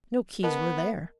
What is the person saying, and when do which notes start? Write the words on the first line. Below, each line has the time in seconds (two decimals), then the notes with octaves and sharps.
No keys were there.
0.43 B3 A#4 D#5 A5